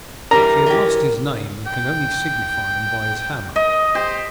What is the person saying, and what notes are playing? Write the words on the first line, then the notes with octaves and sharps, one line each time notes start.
She had lost his name, and could only signify him by his hammer.
E3 G3 D4 A#4 A#5
E3 F#3 G4
G5
D#5
G4 C5